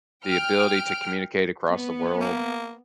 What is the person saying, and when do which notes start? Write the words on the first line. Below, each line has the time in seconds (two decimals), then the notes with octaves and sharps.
The ability to communicate across the world,
0.24 G5 F6 D7
1.70 B3
2.21 A#3